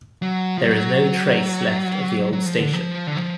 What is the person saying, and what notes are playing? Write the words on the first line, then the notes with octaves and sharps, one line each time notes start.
There is no trace left of the old station.
F#3
F3
F#3
F#3
F3
D3
F3
D3
F3